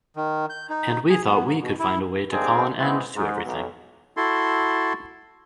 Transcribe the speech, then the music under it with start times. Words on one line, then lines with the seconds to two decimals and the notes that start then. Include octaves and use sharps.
And we thought we could find a way to call an end to everything.
0.16 D#3
0.50 G6
0.70 D#4
1.10 G#4
1.25 B3
1.45 G#2
1.61 B2
1.79 E4
2.32 A#3 C4 D4 D#4 G4 G#4
2.78 G#3 B3 C4 E4 F#4
3.15 G#2
3.44 B1
4.17 E4 F#4 A4 C6